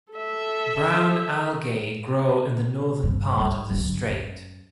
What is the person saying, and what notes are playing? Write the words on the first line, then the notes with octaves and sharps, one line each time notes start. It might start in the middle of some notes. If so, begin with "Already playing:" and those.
Brown algae grow in the northern part of the strait.
A4 E5
G2 D#3
G#2 G3
G1 F#3
F#2